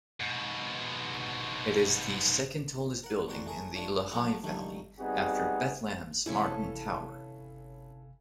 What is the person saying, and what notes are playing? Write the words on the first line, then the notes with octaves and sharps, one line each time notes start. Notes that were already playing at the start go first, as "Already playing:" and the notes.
It is the second tallest building in the Lehigh Valley after Bethlehem's Martin Tower.
G#2 B2
A#4 F#5
A1 F2 F#4 D5 A#5 C6
A3 G#4 A#4
A3 D4 F4 C#5
F3 F#3 A3 B3 C4 F#4
C#2 G2 D#3 F#3 G3 A3
G3 B3 C4 D#4 F#4 G#4
G1 C3 E3 C#4 E4 A4 F5